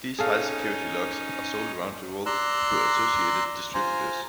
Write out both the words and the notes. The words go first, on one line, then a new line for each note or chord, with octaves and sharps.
These high security locks are sold around the world through associated distributors.
C#4 D#4 G#4 A4 F5
D5 A#5 C6 E6 F#6
F4 C5 G#5 A#5